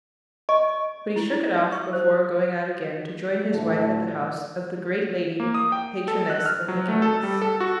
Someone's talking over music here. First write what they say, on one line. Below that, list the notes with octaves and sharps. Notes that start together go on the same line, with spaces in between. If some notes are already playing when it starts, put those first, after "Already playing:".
But he shook it off before going out again to join his wife at the house of the great lady patroness of Michaelis.
D#5 C#6
E4
E4
E5
C#6
C5
A2 D3 F3 A3
A#3
D#6
G5
A4
F#6
F6
F#3
A3
A4
G3
A4
F#4